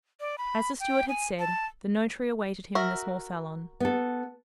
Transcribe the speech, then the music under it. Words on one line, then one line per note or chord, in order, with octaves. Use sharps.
As the steward had said, the notary awaited him in the small salon.
D5
B5
G5
G#5
A5
F#4 A#4 E5
B3 A4